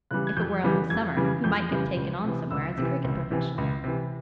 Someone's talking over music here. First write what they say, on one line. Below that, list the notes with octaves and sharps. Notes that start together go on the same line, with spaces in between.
If it were only summer, he might get taken on somewhere as a cricket professional.
C#3 E3 G3 F#6
G#6
F2 G6
C#3 E3 G3
F2 G#6
C#3 E3 G3
F2 G6
C#3 E3 G3
C#2
C3 E3
C#2 E6
C3 E3
C#2
C3 E3
C#2
C3 E3